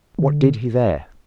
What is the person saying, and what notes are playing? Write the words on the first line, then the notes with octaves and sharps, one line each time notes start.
What did he there?
D#3
D3